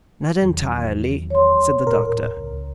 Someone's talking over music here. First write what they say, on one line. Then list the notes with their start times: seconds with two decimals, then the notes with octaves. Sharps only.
"Not entirely," said the doctor.
0.42 E2 D#3 F#3
1.30 C#5 C6
1.87 D#1 A2 A#4
2.37 C#2